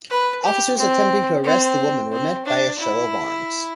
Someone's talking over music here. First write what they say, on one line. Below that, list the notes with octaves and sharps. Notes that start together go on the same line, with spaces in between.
Officers attempting to arrest the woman were met by a show of arms.
B4
G4
C4
C4
C4
D4
E4